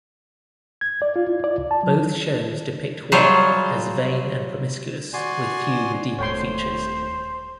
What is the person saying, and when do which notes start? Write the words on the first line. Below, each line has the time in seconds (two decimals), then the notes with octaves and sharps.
Both shows depict Juan as vain and promiscuous, with few redeeming features.
0.81 G#6
1.02 D5
1.16 F4
1.29 E4
1.44 D5
1.58 C#2
1.71 A5
1.83 F#3
3.12 F#3 G3 F4 G#4 C5 C#5
5.14 F#4 D5 G#5 C6
6.19 D#1 A3 C5 C#5 G5 C6